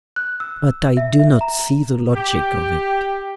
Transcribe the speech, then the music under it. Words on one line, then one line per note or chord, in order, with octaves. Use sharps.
But I do not see the logic of it.
F#6
E6
E5
E5
A#5
G4